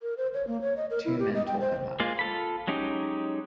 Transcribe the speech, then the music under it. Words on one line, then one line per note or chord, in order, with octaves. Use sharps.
Two men talk and laugh.
A#4
C5
C#5
A#3
C#5
D#5
A#4
E4
G4
D#5
G5
C5
G#3 A#3 F4
F4 A4 B5
F#3 G#3 C#4 D#4 G4